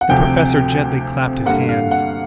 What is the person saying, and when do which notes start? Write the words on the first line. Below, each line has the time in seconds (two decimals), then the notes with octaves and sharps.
The Professor gently clapped his hands.
0.01 F#5
0.09 D2 C3 F3 G5
1.46 G2 D3 G3 A#3 F#5
1.69 F5
1.91 F#5